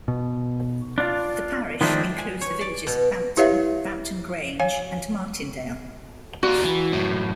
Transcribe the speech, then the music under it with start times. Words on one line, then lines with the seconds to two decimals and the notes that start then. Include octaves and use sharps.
The parish includes the villages of Bampton, Bampton Grange and Martindale.
0.08 B2
0.98 D4 F4
1.81 D#3 F3 G#3 A3 D4
2.18 G#5
2.41 C#5
2.61 D5
2.87 B2
3.37 E4 G4 B4 C#5 E5 F5
4.60 C#5 F5 G#5
6.43 G3 F4 F#4
6.64 E3
6.92 F#2 A2